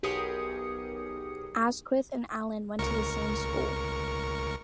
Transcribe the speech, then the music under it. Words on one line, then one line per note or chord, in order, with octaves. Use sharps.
Asquith and Allen went to the same school.
B1 G4 G#4 A#4 D#6 C#7
C#2 A#4 C#6